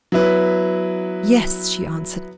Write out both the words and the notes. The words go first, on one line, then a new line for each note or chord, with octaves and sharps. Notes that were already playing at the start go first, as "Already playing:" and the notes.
"Yes," she answered.
F#3 B3 E4 B4